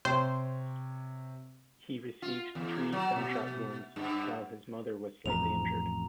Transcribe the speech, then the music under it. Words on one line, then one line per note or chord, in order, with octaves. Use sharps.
He received three gunshot wounds while his mother was slightly injured.
C3 C5 C#5 G5
F4
E2
F#3
B2
G2
A1 F2 A#5 F7